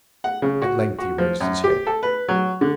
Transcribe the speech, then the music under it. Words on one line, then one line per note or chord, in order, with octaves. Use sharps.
At length he raised his head.
F#5
C#3
F#4
F#4
F3
F#2
G4
A4
B4
F#3
D3